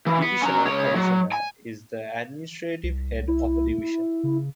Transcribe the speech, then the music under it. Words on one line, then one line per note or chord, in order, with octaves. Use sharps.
Divisional Commissioner is the administrative head of a division.
E3
B3
C#4 A#5
C#2 C#5
F#3
G#5
C2
E4
C#3